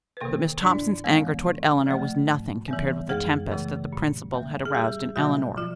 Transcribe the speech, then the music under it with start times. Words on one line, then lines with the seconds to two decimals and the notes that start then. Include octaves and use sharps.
But Miss Thompson's anger toward Eleanor was nothing compared with the tempest that the principal had aroused in Eleanor.
0.17 B4
0.21 C3 D#3 A#3 A#4
0.62 G2 D4 D5
1.04 E3 G#3 B3
1.45 C3
1.86 F3 A3
2.27 G#2
2.68 E3 G3 B3
3.09 F#2 G#3 G#4
3.51 C#3 E3 A3
3.93 A#2
4.34 G3 A#3
4.65 G#4
4.74 E2 G3 G4
5.16 B2 F#3 G3 A#3 F#4
5.57 F3 F4